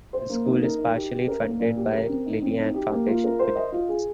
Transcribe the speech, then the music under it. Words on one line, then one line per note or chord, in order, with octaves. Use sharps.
The school is partially funded by Liliane Foundation Philippines.
C5
A#3
D#4
A#4
D#4
G4
G4
A#4
A#3
A#2
G4
A#4
C4
D#4
C4
D#4
G4
A#3
F4
A#4
C5
D#5
F4
G#4